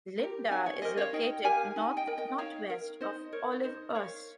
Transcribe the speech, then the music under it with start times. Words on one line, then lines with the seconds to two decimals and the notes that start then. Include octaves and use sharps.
Linda is located north-northwest of Olivehurst.
0.19 G4 A#4
0.50 D#4 F5 G#5
0.66 C#5
0.82 G4 A#4 C5 D#5
0.97 C#5 F5
1.13 D#4 D#5 G5
1.45 G4 A#4 F5 G#5
1.76 D#4
1.97 D#5 G5
2.07 A#4
2.18 D#5 G5
2.38 D#4 C#5 F5
2.70 A#4
3.01 D#4 C5 D#5
3.32 A#4 C#5
3.63 D#4 C5 D#5
3.95 A#4 C#5 F5